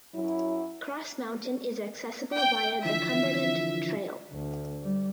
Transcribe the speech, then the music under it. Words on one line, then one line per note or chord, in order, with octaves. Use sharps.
Cross Mountain is accessible via the Cumberland Trail.
F#2 F#3 E4
G5
D3 E3 F3 E5
D2
G3